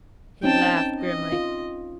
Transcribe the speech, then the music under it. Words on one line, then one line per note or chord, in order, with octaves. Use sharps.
He laughed grimly.
C4 C#4 D#4 G5 A5
D#5
F4